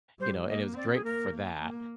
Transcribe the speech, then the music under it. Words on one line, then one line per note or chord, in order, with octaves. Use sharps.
you know, and it was great for that,
G3 C5
A#3 D#5
C4 D5
G#4
A#3 A#4
A#3
A#3